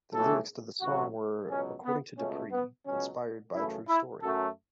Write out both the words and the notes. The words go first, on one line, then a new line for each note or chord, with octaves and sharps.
The lyrics to the song were, according to Dupri, inspired by a true story.
B1 A2 E3 A3 A4
A1 A2 F#3 F#4
C#2 B2 F#3 C#4
B3
C#2 B2 A3 C#4
B3
C#2 B2 F#3 C#4
F#2 C#3 E3 A3 E4
E4
F#2 F#3 A3 A4